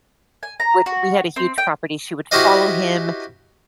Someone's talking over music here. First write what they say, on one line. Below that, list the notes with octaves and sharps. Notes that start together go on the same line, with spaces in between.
would we had a huge property- she would follow him,
G#5
A#5
F#4
C4
G5
E4 F#4 G4 C5 D#5 F5